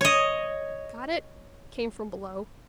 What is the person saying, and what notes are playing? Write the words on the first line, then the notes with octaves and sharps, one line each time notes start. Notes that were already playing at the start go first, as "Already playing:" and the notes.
"Got it?" came from below.
C#5 D#5